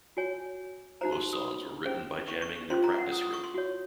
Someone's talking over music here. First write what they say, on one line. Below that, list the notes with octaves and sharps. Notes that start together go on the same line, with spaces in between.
Most songs were written by jamming in their practice room.
F#4 C#5 G#5
D#4 F#4 C5 A#5
C6
C6
D#6
C#4 G#4 C5
C#6
C#6
C#6
C#4 F4 C5 C6
A#5
F#5
D#6
D#6
C#6
C6
F#4 C#5